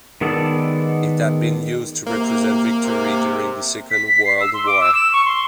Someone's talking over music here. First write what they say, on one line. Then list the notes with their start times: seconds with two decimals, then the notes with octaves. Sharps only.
It had been used to represent victory during the Second World War.
0.21 D#3 G#3 B3 A4 D5
2.07 C3 A#3
2.83 C3
3.91 B6
4.09 B6
4.25 C7
4.40 E6
4.54 C6
4.67 D6
4.81 E6
4.95 E7
5.13 C#6
5.26 C6